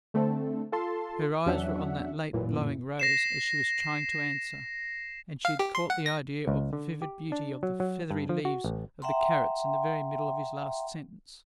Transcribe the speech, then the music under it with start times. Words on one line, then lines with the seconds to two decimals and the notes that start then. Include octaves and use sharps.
Her eyes were on that late-blowing rose as she was trying to answer; and she had caught the idea of the vivid beauty of the feathery leaves of the carrots in the very middle of his last sentence.
0.14 D3 A3 C4 A4
0.72 F4 A4 A5 C6
1.46 E2 F#3 C#4 D4 E5 F#5
2.33 A1 F#2 A#2 E3
3.00 A#6 C7 E7
5.45 F5
5.59 G4
5.75 C6
5.90 F#5
6.06 A#6
6.47 C#2
6.73 D3
7.02 G4
7.32 D4
7.63 F#3
7.80 F#3
8.11 G2
8.29 F3
8.45 F#4
8.64 A1
9.02 E5 F#5 G5 A#5 C6